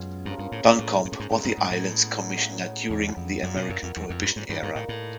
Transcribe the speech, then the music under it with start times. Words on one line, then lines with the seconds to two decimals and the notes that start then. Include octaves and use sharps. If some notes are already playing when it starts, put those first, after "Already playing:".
Duncombe was the island's commissioner during the American Prohibition Era.
Already playing: F#2 B2 G#3 C#4 F4
0.25 G2 C#3 F3 A#3
0.39 G2
0.52 A2
0.65 A2
0.79 A2
1.05 G#2
1.12 A2
1.20 G#2
1.31 G#2 B2 G#3 B3 D#4
1.45 G2
1.58 G#2
1.71 A2
2.37 C#3 F#3 B3 D#4
2.90 E2
3.17 F2
3.43 F#2 A#2 F#3 B3 D#4
3.56 B2
3.70 F#2
3.83 F2
3.97 E2
4.10 F2
4.23 G2
4.36 G#2
4.49 G2 D#3 G3 A#3
4.63 G2
4.75 A2
4.89 A2